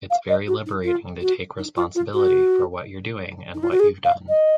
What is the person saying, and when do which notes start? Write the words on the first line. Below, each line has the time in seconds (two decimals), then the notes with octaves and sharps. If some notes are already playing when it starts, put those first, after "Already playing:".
It's very liberating to take responsibility for what you're doing and what you've done.
0.10 F5
0.29 D#5
0.47 F#4
0.66 D#4
0.84 F4
1.21 F#4
1.58 D#4
1.76 F4
1.95 F4
2.13 F#4
3.54 D#4
3.63 F4
3.71 F#4
3.79 G#4
4.04 F5
4.28 D#5